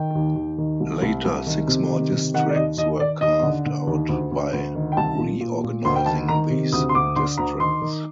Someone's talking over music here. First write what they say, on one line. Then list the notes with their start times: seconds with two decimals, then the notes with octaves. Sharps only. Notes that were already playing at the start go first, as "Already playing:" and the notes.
Later, six more districts were carved out by reorganizing these districts.
Already playing: D#3 G5
0.15 D#2
0.36 D#2
0.58 D#3
0.80 C2
1.02 C2
1.25 C2
1.46 D#3
1.68 C3
1.90 D#3
2.12 C3
2.34 D#3 F#5
2.49 D5
2.55 D#2 D#5
2.77 D#2 D#5
2.99 D#3 D5
3.21 D#2 D#5
3.43 D3
3.66 D3
3.87 D#2
4.09 D2
4.32 D2
4.53 D2
4.75 D#3
4.92 G5
4.97 C2 A5
5.18 A#2
5.40 A#2
5.63 A#2
5.85 D2 C6
5.96 G5
6.06 D#3 A5
6.28 D#3 A#5
6.50 C3
6.72 D2 D#6
6.89 C6
6.95 D2 D6
7.16 D3 C6
7.37 D2 A#5
7.60 D#3 C6
7.82 D#3